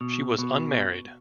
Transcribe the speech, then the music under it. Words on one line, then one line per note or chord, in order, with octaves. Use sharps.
She was unmarried.
B2
B2